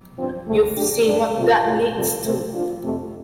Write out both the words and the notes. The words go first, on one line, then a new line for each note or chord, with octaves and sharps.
You've seen what that leads to.
G2 F3 C4
D2 C3 A3
D3 A3 D4 G4
G2 G3 D4
C3 A3 F4
A2 A3 F4
F2 C3 G3 F4 A4
C3 A3 C4
F3 D4 F4
F2 C3 A3